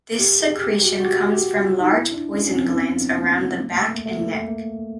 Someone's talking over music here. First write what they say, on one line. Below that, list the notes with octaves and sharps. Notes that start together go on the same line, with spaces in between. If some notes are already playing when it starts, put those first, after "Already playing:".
This secretion comes from large poison glands around the back and neck.
G4
G#4
G4
F#4
F#4
G4
G4
F4
D#4
E4
D4
C#4
C#4
C4
B3
A#3
A3
A#3
A3
A#3
A3
A#3
A3
A#3